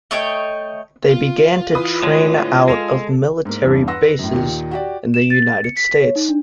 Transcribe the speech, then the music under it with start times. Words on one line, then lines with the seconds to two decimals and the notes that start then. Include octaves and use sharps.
They began to train out of military bases in the United States.
0.11 A3 C#5 D#5 G5
1.09 F4
1.75 E3 B4 D#6
2.03 A2 D3 G#3
2.68 G#3 A4 E7 F7
3.45 G#2 A#3
3.64 E2 G2
3.87 B4 F#5 C6 E6 A#6
4.19 F#2 A2
4.33 D#2 A#2 D#3
4.71 F#4 G4 D5
5.14 E7
5.30 A6
5.64 C#7
5.76 B6
6.01 C#5
6.16 D#4
6.29 D4